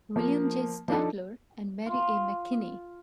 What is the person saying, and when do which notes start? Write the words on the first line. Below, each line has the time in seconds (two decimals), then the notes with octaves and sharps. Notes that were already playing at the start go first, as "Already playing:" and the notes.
William J. Statler and Mary A. McKinney.
0.16 F3 A#3
0.88 F3 D4 D#4 A4
1.86 F4